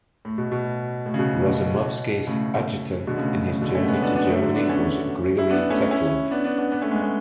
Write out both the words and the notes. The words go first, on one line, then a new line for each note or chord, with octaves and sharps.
Razumovsky's adjutant in his journey to Germany was Grigory Teplov.
A2
B2
B2
A2
C#3
B2
A2
B2
A2 C#3
B2 D3
A2 C#3
A2
A2 C#3
B2 D3
A3 C#4
G#3 B3
B3 D4
B3 D4
F#3 A3
D3 F#3
B3 D4
A3 C#4
E4
B3 D4
A3 C#4
C#4 E4
B3 D4
B3 D4
B3 D4
B3 D4
A3 C#4
G#3 B3
A3 C#4